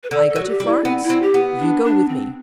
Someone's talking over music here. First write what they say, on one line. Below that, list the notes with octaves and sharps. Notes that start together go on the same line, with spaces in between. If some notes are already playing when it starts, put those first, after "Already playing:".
I go to Florence; you go with me.'
B4
D3 A4
A4
F#3
F#4
G4
G3
E4
B3 C4
E4
C4
G4
B3
D4
D4
C4